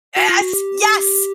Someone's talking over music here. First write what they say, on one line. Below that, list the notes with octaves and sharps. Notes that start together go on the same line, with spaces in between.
Yes, yes,
F#4
F4
F#4
G4